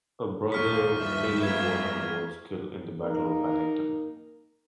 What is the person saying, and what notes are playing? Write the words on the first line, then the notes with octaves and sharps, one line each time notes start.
A brother, Daniel Warner, was killed in the Battle of Bennington.
D#2 A#2 F3 C#6 F6 B6
G2 G4 B4 E5
F3 A3 A#3 F6 G#6
A#3 D#4 A#4